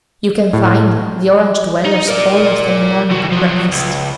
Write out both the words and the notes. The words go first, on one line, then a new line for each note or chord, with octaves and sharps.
You can find the Orange-dwellers almost any morning at breakfast.
A2
D#4
A#4 D5
C3 F#4
F3 F#3
C#2